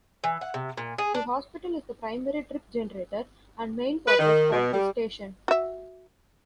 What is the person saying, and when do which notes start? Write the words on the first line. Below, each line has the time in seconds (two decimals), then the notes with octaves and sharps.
The hospital is the primary trip generator and main purpose for this station.
0.24 E3
0.41 F#5
0.54 C3
0.77 A#2
0.98 G#4
1.15 D4
4.07 B4
4.19 D#3
4.52 B2
4.73 G3
5.48 F#4 E5